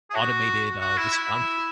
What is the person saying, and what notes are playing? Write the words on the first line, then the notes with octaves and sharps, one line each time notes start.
automated, uh, responses,"
G#4
F#4
F#4
E4
E4